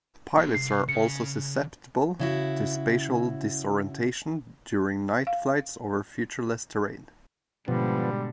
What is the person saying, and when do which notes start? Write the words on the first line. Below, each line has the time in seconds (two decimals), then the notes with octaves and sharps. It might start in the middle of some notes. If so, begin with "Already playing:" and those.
Pilots are also susceptible to spatial disorientation during night flight over featureless terrain.
0.38 A#3 C5
0.55 C2 C7
0.89 C#3 C#7
2.19 C#3 E4 F#4
5.27 F5
7.68 G#2 B2 D3 F3 G3 B3